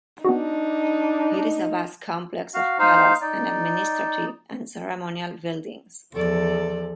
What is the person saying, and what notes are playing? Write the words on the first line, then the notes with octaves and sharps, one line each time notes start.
It is a vast complex of palaces and administrative and ceremonial buildings.
B3 D4 D#4 F#4
F#4 F5
D#4 C5 F5
D#4 D5
E2 F3 A4 D5